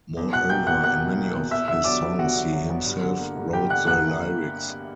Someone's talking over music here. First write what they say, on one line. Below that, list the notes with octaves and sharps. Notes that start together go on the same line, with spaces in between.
Moreover, in many of his songs he himself wrote the lyrics.
E2
B2 F#5 F#6
A#3 G5 G6
E2 F#5 F#6
E2 F#5 F#6
B2
A#3
E2
E2 E5 E6
D3 E5 E6
F#3 D5 D6
B3
E2 F#4 F#5
D3
F#3
B3
G2
D3
A#3
G2
G2 G4 G5
D3 F#5 F#6
A#3 F#5 F#6